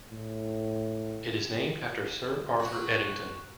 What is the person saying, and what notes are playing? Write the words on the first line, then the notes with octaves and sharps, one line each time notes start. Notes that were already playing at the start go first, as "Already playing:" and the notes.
It is named after Sir Arthur Eddington.
A2
F#3 F#4